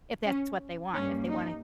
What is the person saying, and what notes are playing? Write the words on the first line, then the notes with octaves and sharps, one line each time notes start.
if that's what they want. If they wanna
C#4
G2 G3 A#3 C#4
D#4